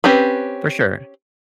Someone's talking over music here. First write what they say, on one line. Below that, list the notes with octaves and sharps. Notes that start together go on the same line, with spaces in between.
For sure.
C4 C#4 G4 B4